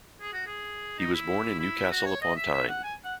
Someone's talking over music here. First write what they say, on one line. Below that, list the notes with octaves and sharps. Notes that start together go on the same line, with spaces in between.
He was born in Newcastle-Upon-Tyne.
G#4
F#4
G#4
D#4
E4
E4
F#4
C#5
D#5
E5
E5
F#5
G#5
F#5